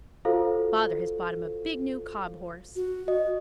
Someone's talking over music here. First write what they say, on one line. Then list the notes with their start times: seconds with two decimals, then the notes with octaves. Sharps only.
Father has bought him a big new cob horse.
0.25 F4 F#4 A4 C5 F5
2.76 F#4
3.08 D#5